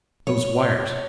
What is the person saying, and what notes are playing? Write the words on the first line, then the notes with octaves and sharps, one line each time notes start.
Those wires!
C#5